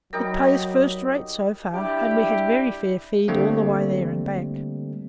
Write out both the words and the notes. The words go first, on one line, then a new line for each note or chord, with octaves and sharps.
It pays first-rate so far, and we had very fair feed all the way there and back.'
F#3 G3 D#4 G4 A#4 D#6
G3 D4 E4 G4
D3 G3 A3 A#3 C4